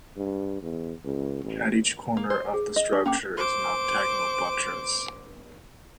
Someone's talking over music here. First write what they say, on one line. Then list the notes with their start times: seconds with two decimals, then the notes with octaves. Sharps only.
At each corner of the structure is an octagonal buttress.
0.17 G2
0.62 E2
1.05 C#2
1.44 A1
2.17 A#3
2.30 C5
2.54 G#4
2.76 D#5
2.93 D4 C#6
3.06 A#3 C#4 G5 D6
3.37 C5 D6